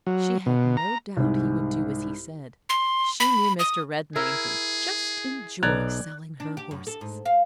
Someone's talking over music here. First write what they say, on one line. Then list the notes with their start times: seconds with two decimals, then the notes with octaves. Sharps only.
She had no doubt he would do as he said; she knew Mr. Redmain would just enjoy selling her horses.
0.07 F#3
0.46 B2
0.77 A#5
1.17 C2 G#2
2.69 C6
3.20 B5
3.59 D#6
4.16 E4 G#4 A#4
5.63 B1 D5 A#5 F#6 G#6
6.40 D4
6.57 G4
6.71 F#2
6.87 A4
7.01 G#2
7.25 F5